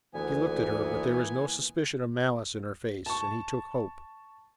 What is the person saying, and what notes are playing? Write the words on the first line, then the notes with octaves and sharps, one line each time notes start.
He looked at her, but there was no suspicion of malice in her face, and he took hope.
D2 A#2 E3 B3 G#5
A5 C#6